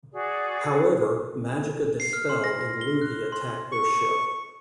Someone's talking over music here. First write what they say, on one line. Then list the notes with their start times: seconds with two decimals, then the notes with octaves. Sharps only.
However, Magica De Spell and Louhi attack their ship.
0.13 F#4 G#4 D5
2.00 C7
2.13 F6
2.29 C6
2.44 A#6
2.61 A#6
2.81 G7
3.02 F#6
3.32 C6
3.72 C#6